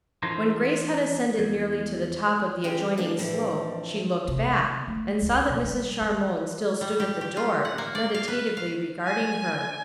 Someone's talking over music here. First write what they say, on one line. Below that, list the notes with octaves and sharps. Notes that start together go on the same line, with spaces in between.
When Grace had ascended nearly to the top of the adjoining slope she looked back, and saw that Mrs. Charmond still stood at the door, meditatively regarding her.
E3 D#4 F4 A4 A#4 C5
E2
E3 C#4 G4 G#4 G5
D3 G#3 A#3 B3 D4 G#4
F2 A2 E3 F3 D4
C3
D3
A3
D2
B2
G3
D#3
G3
G4
G4
F4
F#5
A#3
D5
F5
B4
F5
G#5